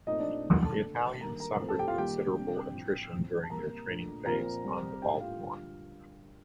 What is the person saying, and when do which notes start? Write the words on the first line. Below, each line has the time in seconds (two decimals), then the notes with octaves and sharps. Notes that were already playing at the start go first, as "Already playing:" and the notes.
The Italians suffered considerable attrition during their training phase on the Baltimore.
0.07 A#2 A3 C4 D#4 D#5
0.20 D4 D5
0.45 D3 F3 A#3 D4
0.65 A4 A5
0.83 D3 A3 D4
1.13 A5
1.21 D#3 G3 A#3 D4 A#4 A#5
1.40 A#4 A#5
1.59 A2 F3 A3 C4
1.69 A4 A5
1.79 G4 G5
1.88 F4 F5
1.98 D#3 G3 A#3 G4 G5
2.36 C3 G3 D4
2.73 A2 F3 C4
3.12 A2 F3 C4
3.43 A5
3.50 C3 G3 A#3 A#4 A#5
3.87 A#2 A3 D4
4.26 A#2 F3 C4 A#4 A#5
4.64 C3 G3 C4
5.02 A2 A3 D4 G4 G5
5.20 F4 F5
5.39 D3 G3 D4